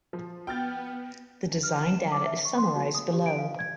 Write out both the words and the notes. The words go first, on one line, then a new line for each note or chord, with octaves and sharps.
The design data is summarized below.
F3
B3 G5 F6 A6
F6
E7
D6
E5
C#6
C6
F#4
D#6
G4
D7
F5
G#6